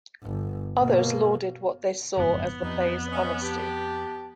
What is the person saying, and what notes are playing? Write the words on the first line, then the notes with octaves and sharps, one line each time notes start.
Others lauded what they saw as the plays' honesty.
G1
B2 A#3
F#1 F2 G#2 B3
F2 E3 G3 D#4
C#4 D#5
G4 A5